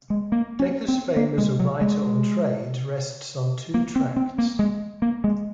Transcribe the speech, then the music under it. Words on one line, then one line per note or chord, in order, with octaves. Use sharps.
Decker's fame as a writer on trade rests on two tracts.
G#3
A#3
C#4
C4
A#3
G#3
F#3
G#3
A#3
C4
C4
A#3
G#3
A#3
G#3